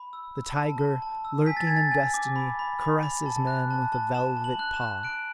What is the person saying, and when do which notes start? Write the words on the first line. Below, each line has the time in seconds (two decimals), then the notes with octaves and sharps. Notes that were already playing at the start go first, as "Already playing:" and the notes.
The tiger, lurking in destiny, caresses man with a velvet paw.
Already playing: B5
0.13 E6
0.36 E6
0.58 A5
0.79 A5
1.02 A5
1.25 E6
1.46 G#5 B6
1.57 A6
1.67 G#5 G#6
1.77 A6
1.91 G#5
2.14 D6
2.36 B5
2.59 B5
2.81 B5
3.03 B5
3.26 A5
3.47 F#6
3.71 A5
3.93 A5
4.15 A5 E7
4.37 A5
4.44 F#7
4.59 F#6
4.74 E7
4.81 F#6
5.03 F#6 D7